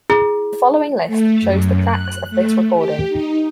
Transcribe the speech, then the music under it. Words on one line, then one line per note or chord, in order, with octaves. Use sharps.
The following list shows the tracks of this recording.
E4 G#4
A3
F#2
F#6
A3
G4
D#4